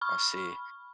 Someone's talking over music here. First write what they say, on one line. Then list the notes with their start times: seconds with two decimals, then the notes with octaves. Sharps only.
I see.
0.01 B5 C#6 F6